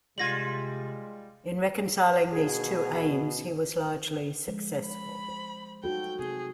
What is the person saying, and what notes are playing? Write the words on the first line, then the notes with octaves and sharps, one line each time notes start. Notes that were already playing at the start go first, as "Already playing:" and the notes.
In reconciling these two aims he was largely successful.
C3 G3 G#3 F4 G#6 A#6 F#7
B2 G#4
F3 G#3
B5
C5
D#4 F#4 A4 G5
C3 C4 G#4